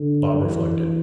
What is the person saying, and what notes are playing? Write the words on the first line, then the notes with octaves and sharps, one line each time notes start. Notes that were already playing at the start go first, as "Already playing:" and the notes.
Bob reflected.
Already playing: D3
E3